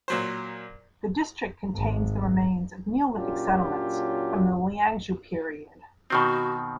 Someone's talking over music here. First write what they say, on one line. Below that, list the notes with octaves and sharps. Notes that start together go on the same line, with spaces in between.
The district contains the remains of Neolithic settlements from the Liangzhu period.
A#2 F#3 C5
G#1
A#2 F#3 C#4 D4 F4 G4
B2 D#3 C4 F#4